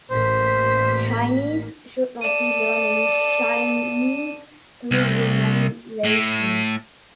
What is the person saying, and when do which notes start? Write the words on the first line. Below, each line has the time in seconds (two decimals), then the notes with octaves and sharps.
Chinese should not be learning Chinese through Romanization.
0.11 A1 A#3 C5 B6
2.21 A4 D5 D#7 E7
4.91 C2
6.04 A2